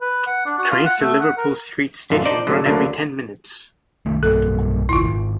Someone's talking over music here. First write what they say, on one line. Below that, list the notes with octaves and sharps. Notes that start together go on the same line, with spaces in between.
Trains to Liverpool Street station run every ten minutes.
B4
F#5
D4
F#4
F4
F#5
A3
F#5
A#4
A1 F#2 D3 F4
D4 D#4 C5 D5
G#2 D3 F#3 A3
D2 D3 F#3 A#3 D4
C2 D#3 A3
B1 G2 A#3 A4
D#1 G#1 E4 F4
G#1